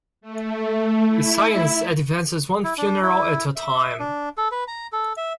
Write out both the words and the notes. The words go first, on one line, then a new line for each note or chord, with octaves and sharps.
Science advances one funeral at a time.
A3
E4
E4
D4
E4
E5
D4
A4
B4
A#5
A4
E5